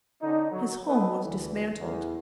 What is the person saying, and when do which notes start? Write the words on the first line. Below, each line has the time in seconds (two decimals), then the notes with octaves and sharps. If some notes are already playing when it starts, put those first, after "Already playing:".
His home was dismantled.
0.22 D3 C#4 D#4
0.51 F#3
0.87 B3 C4 D#4 A4 B4
1.24 D2 E3
1.80 E2